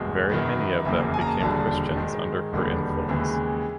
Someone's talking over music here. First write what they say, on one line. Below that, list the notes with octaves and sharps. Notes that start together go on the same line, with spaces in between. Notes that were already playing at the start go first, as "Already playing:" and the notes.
Very many of them became Christians under her influence.
Already playing: F#1 E2 B2 G#3
F#2 D#3 F#3 B3
F#1 E2 C#3 F#3 A#3 E5
G#5
A#5
A5
E1 D#2 D3 G3 A5
G#2 D#3 G#3
E1 D#2 D3 G3 B3
D#2 C#3 E3 G#3